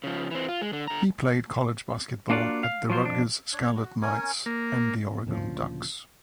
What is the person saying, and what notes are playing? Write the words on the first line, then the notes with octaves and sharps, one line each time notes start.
He played college basketball for the Rutgers Scarlet Knights and the Oregon Ducks.
C#3 F3
E3 C4
F4
G#3
D3
D3 A#5
A#3 D4 F4 F#4 D5
F5
F3 F#3 F4 C5
F2 D4
D4 C#5
F#4
C#4 A#4 C#5 G#5
A#3
D2 A#2 C#3 F3